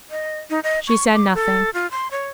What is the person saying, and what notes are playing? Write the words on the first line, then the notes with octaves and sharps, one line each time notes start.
She said nothing.
D#5
D#4
D#5
C#6
D6
A4
F4
C6
C#5